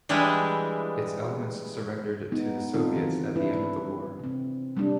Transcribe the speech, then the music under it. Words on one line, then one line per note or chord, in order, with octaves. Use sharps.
Its elements surrendered to the Soviets at the end of the war.
E3 G3 G#3 D4 E4
G#3 B3 D#4
D#3 C4 D#4 F4 A4
C#3 E3
D4 E4 B4
C3 C4
C3 G3 A#3 D4